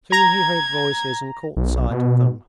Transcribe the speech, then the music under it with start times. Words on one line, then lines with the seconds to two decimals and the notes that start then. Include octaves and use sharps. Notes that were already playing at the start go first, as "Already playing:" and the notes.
Soon he heard voices and caught sight of them.
0.12 A#5 G#6
1.57 B1
1.91 B2